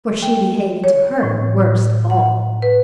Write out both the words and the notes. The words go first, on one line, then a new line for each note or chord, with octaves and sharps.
For she behaved to her worst of all.
G5
C#5
A2
F#5
B4